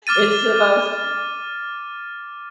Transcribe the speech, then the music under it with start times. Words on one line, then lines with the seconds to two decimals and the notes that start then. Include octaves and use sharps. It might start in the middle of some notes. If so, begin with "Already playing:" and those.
It's the most
0.07 D6 F6 A6 D#7